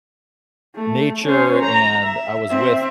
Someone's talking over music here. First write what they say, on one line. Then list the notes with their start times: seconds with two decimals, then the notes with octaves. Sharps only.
nature and I was with,
0.75 A3
1.24 C#4 C5
1.62 A#5
2.02 E5
2.48 C4 E5